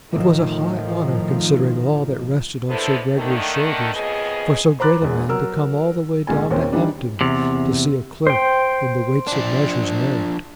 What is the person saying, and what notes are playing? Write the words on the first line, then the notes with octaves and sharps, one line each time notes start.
It was a high honour, considering all that rested on Sir Gregory's shoulders, for so great a man to come all the way down to Hampton to see a clerk in the Weights and Measures married.
A2 D#3 F3
D3 G#3 B3 E4 A4 C5
D3 D#3 A3
F2 C#3 B3 G#4 D#5
C5 A#5 B5 D6 F#6 A6
E1 E2
F#3 A#4 E6
C#2 A#2 G#5
D#2 A#2 C4 C#4
D#3 E3 G3 D4
E2 C3
C5 G5
F3 D4